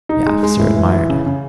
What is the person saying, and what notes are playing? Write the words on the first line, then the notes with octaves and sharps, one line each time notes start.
The officer admired it.
D#4
G#3
G#3
A2
E3
E3
C#3
C#3